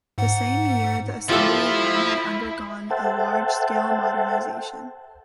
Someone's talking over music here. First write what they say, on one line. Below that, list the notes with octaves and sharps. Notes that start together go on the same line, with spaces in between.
The same year the assembly line had undergone a large-scale modernization.
G#2 F#5
F3 E4 F4 G4 A4
A4 C5 E5 F#5 G5 A5